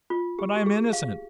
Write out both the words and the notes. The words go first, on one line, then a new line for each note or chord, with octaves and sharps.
"But I am innocent."
F4
G4
G4
G#4
F5